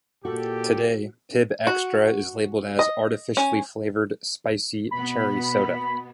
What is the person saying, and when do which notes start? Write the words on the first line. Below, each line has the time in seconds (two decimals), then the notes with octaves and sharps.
Today Pibb Xtra is labeled as "artificially flavored spicy cherry soda".
0.25 A#2 F#4 G4 A4
1.67 F#4
2.79 D#5
3.37 C#4
4.91 B2 B3 B5